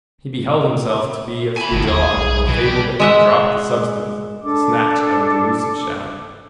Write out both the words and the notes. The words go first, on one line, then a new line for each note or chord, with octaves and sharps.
He beheld himself to be as the dog in the fable that had dropped the substance to snatch at a delusive shadow.
G#5 B5
G1 F#2 A2
D#2 G#4
B1
B2 E3
G4 D5
G#3 E5 F#5
D4 A4 D6